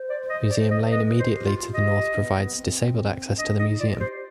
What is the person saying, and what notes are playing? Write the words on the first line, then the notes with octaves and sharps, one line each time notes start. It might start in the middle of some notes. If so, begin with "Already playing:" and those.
Museum Lane immediately to the north provides disabled access to the museum.
Already playing: C5
D5
D#5
D5
D#5
B4 D#5
C5
G4
F4
F4
G4 D#5
B3
C4
D4 D#5
D#4 D#5
F4 D5
G4 C5